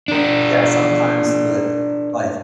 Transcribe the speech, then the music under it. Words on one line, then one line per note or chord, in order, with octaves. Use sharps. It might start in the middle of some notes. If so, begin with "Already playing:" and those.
Yeah, sometimes the like,
D4 A#4